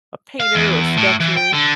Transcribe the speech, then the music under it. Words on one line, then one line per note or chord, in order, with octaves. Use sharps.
a painter or sketcher,
F5
E2
A2
E3
G5
D3